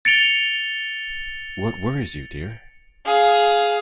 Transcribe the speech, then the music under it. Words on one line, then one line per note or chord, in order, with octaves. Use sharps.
What worries you, dear?
A6 C#7 D7 F7 G7
G#4 F5